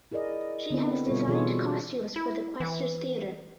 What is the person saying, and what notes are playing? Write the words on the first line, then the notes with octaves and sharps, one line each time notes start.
She has designed costumes for The Questors Theatre.
E4 G#4 A#4 D5 D#5
D3 B3 C4 E4
B2 G3 F4 A4 C#5
B2 E3 F4 G#4 A4 C#5
E4
E3